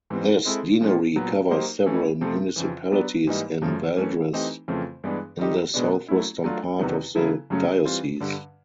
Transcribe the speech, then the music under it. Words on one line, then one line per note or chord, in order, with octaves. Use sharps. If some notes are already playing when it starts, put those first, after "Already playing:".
This deanery covers several municipalities in Valdres in the southwestern part of the diocese.
G#2 E3 G3 C4
G#3 C4 E4 A4
A#2 F3 A#3 C#4 F4
A#2 F#3 B3
F#3 A#3 D#4 G4 C5
E3 A3 C#4
C3 F3 A3 C4
F2 C#3 E3
F#3 B3 D4
G#2 E3 G3 A#3 D#4
F#2 C#3 F3 A3
E3 A3 C#4
E3 A3 C4 D#4 G4
F2 C#3 E3 A3 C4
G2 E3 G#3 B3 D4
D#3 G3 C4 D#4 G4
B2 G#3 B3 D4
F#3 A3 C#4 E4
F#3 A3 D4 F4
E2 C3 D#3 F#3 B3
C#3 F#3 B3 E4 A4
F#2 C#3 F#3 A3 C#4
E3 G3 C4 F4
G2 D3 G3